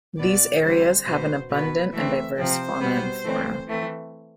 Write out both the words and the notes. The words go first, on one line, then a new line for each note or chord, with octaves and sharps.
These areas have an abundant and diverse fauna and flora.
B2 B3 D5
D3 G3 C4 C5
B2 B3 C5
B2 B3 B4
E3 A3 C4 E5
C3 F3 C4 C5
B2 G3 B3
E3 A3 C4
E3 A3 C4